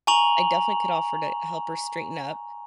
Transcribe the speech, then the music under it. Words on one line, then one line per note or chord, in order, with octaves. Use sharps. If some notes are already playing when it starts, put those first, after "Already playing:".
I definitely could offer to help her straighten up.
G#5 A#5 C#6 F7 F#7